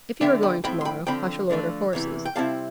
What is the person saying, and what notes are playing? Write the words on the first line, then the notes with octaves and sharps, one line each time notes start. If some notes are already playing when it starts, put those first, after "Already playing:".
'If you are going to-morrow, I shall order horses.'
E2 D3 F3 B3 D4 E5 G5
G5 B5
A2 F3 C4 G5 B5
C6
G5 B5
D3 F3 C4 G5 B5
D3 F3 A3 D4
E2 C3 E3
G5
C3 G3 C4 E4 F5 A5